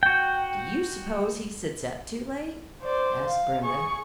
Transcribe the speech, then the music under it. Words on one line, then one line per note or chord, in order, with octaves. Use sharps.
"Do you suppose he sits up too late?" asked Brenda.
F#4 G5
C5 D5
F5
G#4 C#6